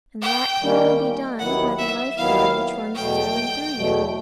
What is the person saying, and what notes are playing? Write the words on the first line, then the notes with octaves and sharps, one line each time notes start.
And that can only be done by the life-blood which runs through and through you.
G5
D#3 G3 A#3 C#4
D#2 D#3 F#3 B3 E4 F#5
E5
D#2 D#3 F#3 B3 E4 F5
E2 B2 F#3 A3 G5
E2 B2 F#3 A3